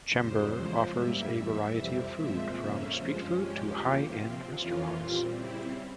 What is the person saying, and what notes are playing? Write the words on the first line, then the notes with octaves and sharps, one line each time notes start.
Chembur offers a variety of food from street food to high end restaurants.
F2 C#3 G3 C5
E2 C#3 F3 G#3 C5
G2 G3 A#3 E5
E2 E3 G3 E5
F2 C3 G3 C4
A#2 F3 G#3 C4 E5
F2 C#3 F3 A#3 C#4 E5
G2 F3 G#3 C#4 C5
G2 F3 G#3 C#4 G4
E2 C#3 F3 A#3
C3 F3 C4
F2 E3 A#3 C#4 F4
A#2 G3 C4
C#3 G3 C4 E4